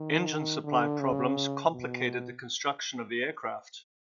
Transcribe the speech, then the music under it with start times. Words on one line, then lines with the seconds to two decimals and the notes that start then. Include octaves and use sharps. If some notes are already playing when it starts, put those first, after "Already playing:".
Engine supply problems complicated the construction of the aircraft.
Already playing: D#3
0.64 D3
1.00 C#3
1.72 B2